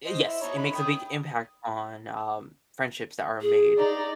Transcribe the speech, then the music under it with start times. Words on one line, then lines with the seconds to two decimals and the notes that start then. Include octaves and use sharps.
eh, yes, it makes a big impact on, um, friendships that are made
0.06 C5 D#5
0.27 E4
0.41 D#4 C#5
0.57 D3 B5
0.75 G5 D#6
3.41 G#4
3.78 D#4 D5